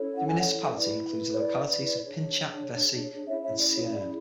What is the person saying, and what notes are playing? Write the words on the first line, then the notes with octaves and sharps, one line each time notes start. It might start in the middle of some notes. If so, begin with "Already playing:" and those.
The municipality includes the localities of Pinchat, Vessy and Sierne.
Already playing: C#4 E4 A4 C#5
F#5
G#5
D5 F#5
E4 B4 D5
C#5
D5
D4 G#4 C#5
C#4 E4 G#4 C#5 E5
C#5 E5
D5
C#5
D5